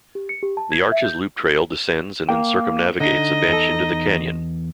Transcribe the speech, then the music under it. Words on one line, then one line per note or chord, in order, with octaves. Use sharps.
The arches loop trail descends and then circumnavigates a bench into the canyon.
G4
C#7
G4
A5
G#6
E5
G6
A#3 A#4 G5
D3 D#4 D#5
E2 A4